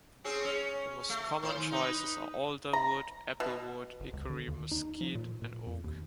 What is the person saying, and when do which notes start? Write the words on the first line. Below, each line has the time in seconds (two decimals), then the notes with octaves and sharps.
The most common choices are alder wood, apple wood, hickory, mesquite, and oak.
0.24 C4 C#4 G#4
0.45 C#4
1.09 A3
1.43 A2 C5
1.56 D#3
1.71 D#4 B4
2.73 A#5
3.40 B2
4.00 G1
4.13 C#2
4.30 D3
4.48 D#2
4.71 D#4
5.01 F3
5.15 A#2
5.42 A#2
5.67 F2
5.84 D#2